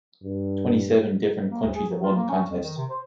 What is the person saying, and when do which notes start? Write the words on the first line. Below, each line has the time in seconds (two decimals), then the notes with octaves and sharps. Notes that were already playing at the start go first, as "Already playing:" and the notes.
Twenty-seven different countries have won the contest.
0.23 G2
1.51 A#3
1.64 D2
1.75 G#4
1.89 F#3
2.03 F4
2.16 A#3
2.29 C#4
2.50 F2
2.62 D#3
2.77 C3
2.90 C5